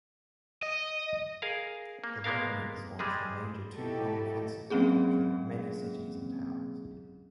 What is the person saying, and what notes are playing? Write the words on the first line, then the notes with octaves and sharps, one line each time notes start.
The Japanese launched a major two-pronged offensive that captured many cities and towns.
D#5
G#4 A#4 F5
A#3
G#3 A#3 B3 A#4 F5
G3 G#3 G#4
D#4 E4 F#4 G4 A4
F#3 G#3 A#3 C4 C#4 G#4